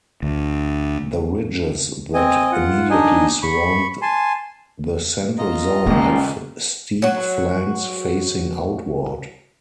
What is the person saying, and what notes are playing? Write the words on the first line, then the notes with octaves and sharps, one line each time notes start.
The ridges that immediately surround the central zone have steep flanks facing outward.
D2
C4 D#5 G#5
F4 F#5
D4 D#4 D#5 G#5
B5 C#6
G#5 A5 C6
F4 D#5 A#5
G1 C#2 F3 G#3 C#4 G#4 A#4
F#3 F#4